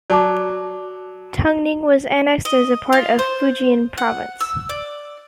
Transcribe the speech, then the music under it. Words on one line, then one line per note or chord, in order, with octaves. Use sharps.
Tungning was annexed as part of Fujian province.
F#3 D5 A5 D6
D#5
F4
C5
F#5
E6
D5